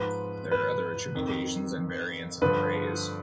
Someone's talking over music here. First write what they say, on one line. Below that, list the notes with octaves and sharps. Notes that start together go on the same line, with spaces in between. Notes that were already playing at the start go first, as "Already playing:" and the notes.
There are other attributions, and variants of the phrase.
Already playing: G#2 F3 B4
B4
F2 D#3
G2 D3 F3 B4